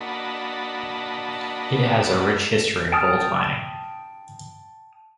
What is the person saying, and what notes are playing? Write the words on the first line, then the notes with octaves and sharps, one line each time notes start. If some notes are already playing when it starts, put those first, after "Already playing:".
It has a rich history in gold mining.
A#3 D4 F#4 D#5 A5 B5
G5 A5 D#6 F6